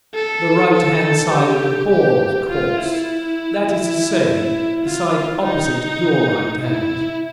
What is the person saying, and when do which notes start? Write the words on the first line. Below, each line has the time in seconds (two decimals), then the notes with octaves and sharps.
"The right-hand side of the ball, of course; that is to say, the side opposite your right-hand."
0.14 A4
0.73 A4
1.32 G4
1.91 G4
2.49 F4
2.79 E4
3.67 E4
4.85 F4
5.44 D#4
6.62 E4